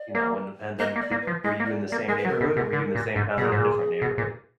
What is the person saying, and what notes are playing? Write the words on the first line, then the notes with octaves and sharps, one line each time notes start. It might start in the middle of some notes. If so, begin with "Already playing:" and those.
you know, when the pandemic did were you in the same neighborhood, or were you in the same town at a different neighborhood?
Already playing: D5
A#3
A#3 D#5
A#3
D5
A#3
B4
F3
G#3 D#5
A#3
D5
D5
A#3
G#3 A#4
B4
F#3
A#4
B2
B2
D3
A#2
G#2
B2 G#4
A#2
G#2
A#2
B2
A#2